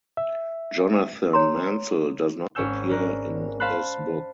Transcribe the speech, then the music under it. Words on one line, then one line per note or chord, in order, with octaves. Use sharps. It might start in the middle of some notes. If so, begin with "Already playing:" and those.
Jonathan Mansel does not appear in this book.
E5
C#5 A#5 C6
G#1 C#4 C#5 G#5 E6 G6
C#4 D4 A#4
C5 F5 A5 B5 C6 F#6